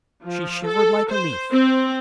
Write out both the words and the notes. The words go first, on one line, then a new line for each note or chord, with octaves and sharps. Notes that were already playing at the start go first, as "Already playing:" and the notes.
She shivered like a leaf.
F3
A4
C5
C4